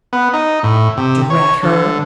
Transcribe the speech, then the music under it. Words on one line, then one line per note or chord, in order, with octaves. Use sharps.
Drat her!
B3
D#4
A2
C3
C#5
D3